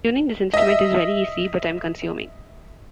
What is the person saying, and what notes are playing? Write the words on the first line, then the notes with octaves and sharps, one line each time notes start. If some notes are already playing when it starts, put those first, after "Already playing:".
Tuning this instrument is very easy but time consuming.
D#5 E5